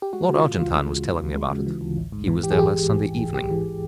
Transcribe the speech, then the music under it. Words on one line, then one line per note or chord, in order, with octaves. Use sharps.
Lord Argentine was telling me about it; he was there last Sunday evening.
G4
G#3 F#4
C#3
F4
E3
D2 F4
G#3
C#3
E3
D2
G#3
C#3
E3
D2
A1
G#2
E3
A1 G4
G#4
A1 G4
G#2
E3
A1
A1
G#2 G4
E3